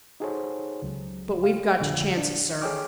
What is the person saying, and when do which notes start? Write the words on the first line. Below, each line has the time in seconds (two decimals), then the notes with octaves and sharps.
But we've got to chance it, sir.
0.20 D#4 F#4 G#4 A4 C5 C#5
0.83 C#2 C#3 F#3
1.44 G4 F5
1.80 F2 A#2 D3 F3
2.17 D4
2.61 G#4 A4 C#5 G5 D6 F6